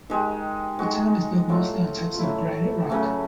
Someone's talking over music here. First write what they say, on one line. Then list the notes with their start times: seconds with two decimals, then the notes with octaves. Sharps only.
The town is built mostly on types of granite rock.
0.10 D#3 G#3 G4
0.79 D#3 G#3 F#4
1.49 A2 F#3 A3 F4
2.13 F4
2.19 A2 F#3 A3 E4
2.90 C#3 F#3 A3